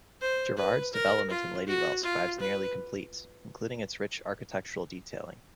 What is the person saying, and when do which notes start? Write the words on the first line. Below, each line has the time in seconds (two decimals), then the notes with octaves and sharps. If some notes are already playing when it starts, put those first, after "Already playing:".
Jerrard's development in Ladywell survives nearly complete, including its rich architectural detailing.
0.21 C5
0.57 B4
0.94 A#4
1.30 F4
1.67 F#4
2.03 F4
2.40 B4